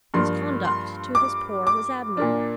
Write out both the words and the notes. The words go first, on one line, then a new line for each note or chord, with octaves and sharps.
His conduct to his poor was admirable.
G2 F3 A#3 D4 C6
C6
D6
D6
A#2 A#3 D4